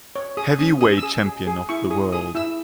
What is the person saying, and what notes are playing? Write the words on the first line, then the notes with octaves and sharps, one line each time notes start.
Heavyweight champion of the world.
C#5
G#4 D#6
C#4 D#6
G#4 D#6
E6
G#4 D#6
G#4
G#4
E4 C#6
G#4 D#6
G#4 D#6
E4 E6